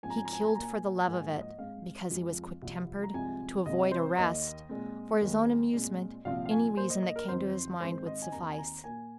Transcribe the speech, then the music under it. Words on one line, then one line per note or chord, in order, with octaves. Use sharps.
He killed for the love of it--because he was quick-tempered-- to avoid arrest--for his own amusement--any reason that came to his mind would suffice.
G#2 F3 C4 G#5
A#5
G#5
A#5
G#5
A#5
G#5
A#2 A#3 G#5 A#5
G#2 F3 A#3 G#5
D#5
G#2 G#3 C4 F5
F2 F3 G#3 C4
C2 C3 F3
A#5
C2 C3 F3 G#3 C4 G#5
C2 C3 G#3 C4 D#5
C5
D#2 D#3 A#3 D#5
A#2 G#3 C4
D#2 D#3 G#3
A#2 G#3 C4
C2 A#2 F3 C4 F5
F5
G#5
A#2 A#3 C5
D#5
D#5
A#4
F2 D#3 C4 C5
G#2 D#3 G#3 C4 C5
D#5
G#5
D#2 D#3 C4 A#5
G#5
A#5
A#2 A#3 G#5